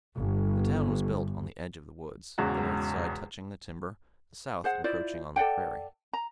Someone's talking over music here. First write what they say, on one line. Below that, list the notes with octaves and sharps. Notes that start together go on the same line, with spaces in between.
The town was built on the edge of the woods, the north side touching the timber, the south encroaching on the prairie.
G1
E1 E2 G#2 C#3 F#4
G#4 C5 F#5
E4 F4 C5 D5
A4 D5 F#5 G5
A#5